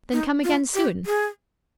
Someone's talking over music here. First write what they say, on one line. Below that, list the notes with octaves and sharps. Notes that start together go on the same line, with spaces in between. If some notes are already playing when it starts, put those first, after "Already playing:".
Then come again soon.
D#4
F4
G4
G#4